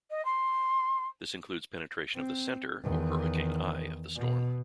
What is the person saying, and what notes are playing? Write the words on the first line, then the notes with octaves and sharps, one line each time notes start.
This includes penetration of the center or hurricane eye of the storm.
D#5
C6
C4
E2 D#3
B2